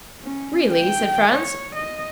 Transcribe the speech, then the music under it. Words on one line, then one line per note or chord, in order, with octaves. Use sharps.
"Really?" said Franz.
C#4
G5
C#5
D#5